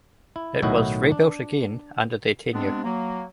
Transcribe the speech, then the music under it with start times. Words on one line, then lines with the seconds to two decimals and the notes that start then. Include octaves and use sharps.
It was rebuilt again under their tenure.
0.36 E4
0.62 B1 A2 D#3 E4 F#4 D#5
1.12 D4
2.54 C3 G#3 B3 C4 D4
2.84 F#3 A#3